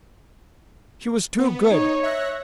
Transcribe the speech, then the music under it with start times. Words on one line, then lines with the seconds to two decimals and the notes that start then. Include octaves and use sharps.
She was too good!
1.39 B3
1.71 D#4 C#5
2.03 E5 F#6 A#6